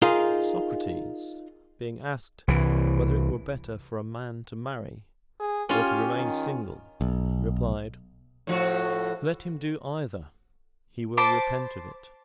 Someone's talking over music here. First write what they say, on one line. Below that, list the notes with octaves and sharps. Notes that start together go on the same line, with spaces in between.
Socrates, being asked, whether it were better for a man to marry, or to remain single, replied,--"Let him do either, he will repent of it."
D#4 F4 G#4 A#4
C2 E3
G#4
C#4 F4 G4
D#3
B1
A2 F3 F#4
C5 A5 B5 D6